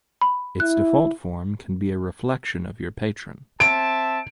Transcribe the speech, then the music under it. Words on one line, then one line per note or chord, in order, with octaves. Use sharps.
Its default form can be a reflection of your patron.
B5
E4 F#6
C4 E5 A5 D7